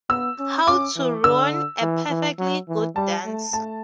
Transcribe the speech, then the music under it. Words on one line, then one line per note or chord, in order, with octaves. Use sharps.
How to ruin a perfectly good dance.
B3 E6
C#4
C#4 D6
E3
D3 E6
E3
E3
F#3
E3
G3 A5
A3
A3 A5